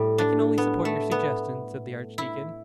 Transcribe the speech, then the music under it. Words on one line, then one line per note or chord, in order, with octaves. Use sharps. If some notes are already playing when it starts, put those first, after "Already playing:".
"I can only support your suggestion," said the Archdeacon.
Already playing: A2 G3
D4
B3
A3
B3
E4